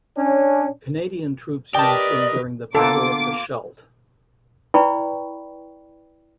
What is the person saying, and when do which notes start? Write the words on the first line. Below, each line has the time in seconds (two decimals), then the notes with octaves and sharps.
Canadian troops used them during the Battle of the Scheldt.
0.17 C#4 D4
1.74 G4 A#4 B4 D5 D#5 G5 A5
2.75 D3 A#3 B3 F4 A4 D6
4.74 E4 B4 D5 G5 B5 C#6